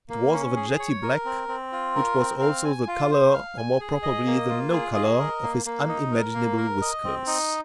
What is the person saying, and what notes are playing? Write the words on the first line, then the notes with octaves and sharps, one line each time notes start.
It was of a jetty black;--which was also the color, or more properly the no color of his unimaginable whiskers.
A#3
C#4
G#4
C#5
A#4
C4
C4
F4
A#4
C4
F5
G#5
F4
C5
F5
G#5
G#4
D#5
A#3
F4
G#4
D#5
A#4
A#3
A#3
D#4
A#4
A#3
A#4
D#5
C4
D#4